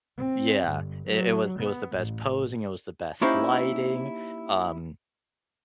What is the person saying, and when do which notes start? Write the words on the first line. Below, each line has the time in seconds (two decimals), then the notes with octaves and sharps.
Yeah. It it was it was the best posing, it was the best lighting. Um,
0.18 C4
0.68 G1
1.09 F#3
1.60 B3
1.97 A1
3.21 A#3 C#4 D#4 E4 G4 C5